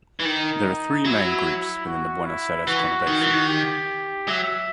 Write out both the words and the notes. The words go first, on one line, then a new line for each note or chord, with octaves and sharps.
There are three main groups within the Buenos Aires' Conurbation.
E3
D#3 D#4
F#3 E4
F#4
E4
E3 F#4
D#3
E3
D#3
G4
F#3 E5